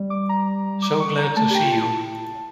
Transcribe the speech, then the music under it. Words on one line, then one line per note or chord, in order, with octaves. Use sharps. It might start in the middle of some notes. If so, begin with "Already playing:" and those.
So glad to see you.
Already playing: G3
D6
A#5
D6
C#6
A#5
A3 A5
G4
G5
F4
E4 A5